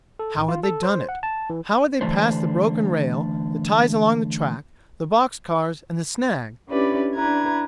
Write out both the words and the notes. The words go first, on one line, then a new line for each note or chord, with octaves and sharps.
How had they done it? How had they passed the broken rail, the ties along the track, the box-cars and the snag?
A4
A1
F4
A4
C5
F#5
A5
E3
D3 E3 A3 D4 D#4 C5
C#4 D4 E4 G4 B4 D5
D4 E4 B4 A#5 G#6